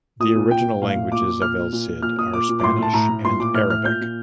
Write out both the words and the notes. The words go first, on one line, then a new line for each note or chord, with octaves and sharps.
The original languages of "El Cid" are Spanish and Arabic.
A#2 D#6
A#2
A#2 G5
A#2
A2 F5
A2
A#2 D6
A#2
A#2 F6
A#2
A#2
A#2
A#2 F6
A#2 D#6
A#2 D6
A#2
D6
A2 C6
A2 A5
A2 A#5
A2
A#2 C6
A#2 D6
A2 F6
A2 F6
A#2 G6
A#2